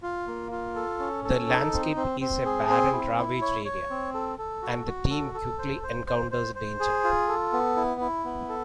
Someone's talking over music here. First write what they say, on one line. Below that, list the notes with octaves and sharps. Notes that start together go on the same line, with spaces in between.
The landscape is a barren, ravaged area, and the team quickly encounters danger.
F4
A#3
F4
A4
C#4
A4
D#4
C4
C4
C4
G#4
C4
E4
E4
C#5
C#5
C4
A4
A4
F#4
F#4
A4
A4
C5
C5
C5
C5
C5
G#4
F4
A4
B3
E4
E4
B3
A4